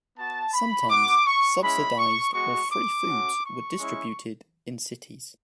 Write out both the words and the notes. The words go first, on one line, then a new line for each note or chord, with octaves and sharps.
Sometimes, subsidized or free foods were distributed in cities.
B3 F#4 A5
B5
B3 F#4 D6
C#6
G#3 C#4 E4 B5
C#6
G#3 B3 F#4 C#6
D6
A3 C#4 F#4
C#6
G#3 C#4 E4